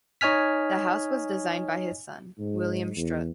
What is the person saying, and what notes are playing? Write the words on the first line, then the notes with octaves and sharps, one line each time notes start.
The house was designed by his son, William Strutt.
D#4 C#5 D#5 G#5 F6 B6
G#2
E2